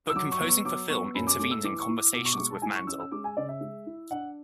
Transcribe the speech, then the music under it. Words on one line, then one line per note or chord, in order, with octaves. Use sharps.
But composing for film intervened in conversations with Mandel.
E6
F#3 D6
C#6
B3
C#6
F#3 D6
B3 C#6
F#2 B5
D6
A3 D6
E6
E3 D6
C#6
E4
D6
B2 D6
C#6
D6
G#3 C#6
A5
E4 G#5
C#6
C#4 E6
E6
G#3 D6
G#5
C#3 D5
E5
G#3
E4
D4 F#5